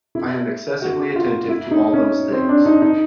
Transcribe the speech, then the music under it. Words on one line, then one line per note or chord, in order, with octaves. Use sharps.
I am excessively attentive to all those things.
E4
F#4
F4
E4
D#4
C#4
C4
D4
D#4
D#4